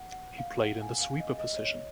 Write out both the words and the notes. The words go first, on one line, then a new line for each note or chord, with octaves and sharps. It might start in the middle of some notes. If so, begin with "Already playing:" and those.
He played in the sweeper position.
Already playing: F#5
F#5
F5
F#5
G#5
F5
D#5
D#5
D#5
C#5
D#5